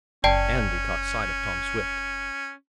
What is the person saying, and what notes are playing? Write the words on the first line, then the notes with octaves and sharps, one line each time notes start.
Andy caught sight of Tom Swift.
F#1 C#4 D5 G5 A5